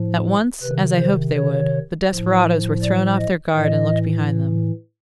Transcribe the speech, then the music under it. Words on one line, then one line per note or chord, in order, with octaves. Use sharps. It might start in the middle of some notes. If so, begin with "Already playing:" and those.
At once, as I hoped they would, the desperadoes were thrown off their guard and looked behind them.
Already playing: A2 F3
C3 D#3 B4
C5
C#5
A2 F3
D5
D#5
A2 E3 D#5